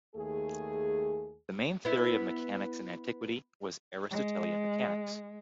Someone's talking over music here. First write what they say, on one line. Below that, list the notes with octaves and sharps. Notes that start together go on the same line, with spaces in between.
The main theory of mechanics in antiquity was Aristotelian mechanics.
D#2 A3 G#4
B3 E4
G#3